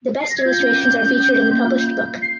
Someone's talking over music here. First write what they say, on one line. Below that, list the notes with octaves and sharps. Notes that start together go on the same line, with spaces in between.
The best illustrations are featured in the published book.
C7
A#6
G#6
F4 G6
C#4
C4
C4
C#4
C#4
C4
A#3
F4
C7